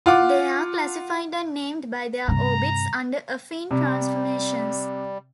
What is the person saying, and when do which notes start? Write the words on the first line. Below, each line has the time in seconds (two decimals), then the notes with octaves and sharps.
They are classified and named by their orbits under affine transformations.
0.06 F4 F#5 D6
2.28 G2 C3 A#5
3.71 C3 G3